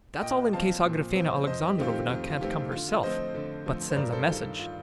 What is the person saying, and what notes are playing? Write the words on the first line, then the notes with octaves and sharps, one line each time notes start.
That's all in case Agrafena Alexandrovna can't come herself, but sends a message.
A#2 D#5 G5
F3 C4 F5 A5
A#2
F3 C4
F2 C5 D#5
G4
D#3 A3 C4 F4
G4
F2 F4
F4
D#3 A3 C4 G4
D3 F4
F4
F3 A3 C4 C5 D#5
D3
F3 A3 C4
C5
G2 A#4 D5
A4 C5
D#3 G3 F4 A4
F4